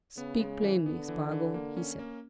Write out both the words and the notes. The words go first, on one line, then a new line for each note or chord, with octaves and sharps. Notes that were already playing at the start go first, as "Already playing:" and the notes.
"Speak plainly, Spargo!" he said.
C#3 B3
G#3
E3
D3 B3
E3
E3
A#3
C#4
A#3